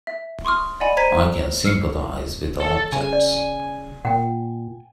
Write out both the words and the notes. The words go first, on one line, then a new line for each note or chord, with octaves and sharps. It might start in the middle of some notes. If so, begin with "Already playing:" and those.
I can sympathize with the objects.
E5
C6 C#6 D#6 F6
D5 D#5 F#5 G#5 B5
C5 A#5 G#6 B6 D#7
E6 F6 C7 C#7
A4
C#3 G#5
D5
A#2 F#5 G5